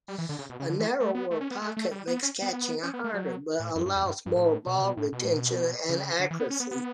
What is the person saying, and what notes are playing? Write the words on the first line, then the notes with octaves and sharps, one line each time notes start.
A narrower pocket makes catching harder, but allows more ball retention and accuracy.
G3
E3
D3
C#3
B2
C#3
D3
E3
A3
B3
A3
C#4
B3
A3
A3
G3
B3
C#4
B3
B3
C#4
B3
A3
F#3
A2
F#2
G2
E2
G2
G2
A2
B2
C#3
B2
A2
B2
A2
B2
C#3
D3
E3
B3
C#4
B3
B3